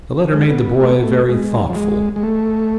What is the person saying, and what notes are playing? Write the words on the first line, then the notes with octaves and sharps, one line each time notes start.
The letter made the boy very thoughtful.
G#3
B3
B3
A3
B3
A3
G#3
F3
G#3
G#3
A3